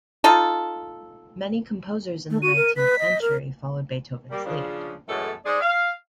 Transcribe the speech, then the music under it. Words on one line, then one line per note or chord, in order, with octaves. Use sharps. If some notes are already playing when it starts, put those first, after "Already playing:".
Many composers in the nineteenth century followed Beethoven's lead.
D#4 F4 A4
A3
F#4 D#7
A#4
B4 B6
D#5
A#4
G3 A#3
C#3 F3 D4
F#2 A2 E3 G#3 A3 A4
G#3 D#4 G#4 C5 D5
F5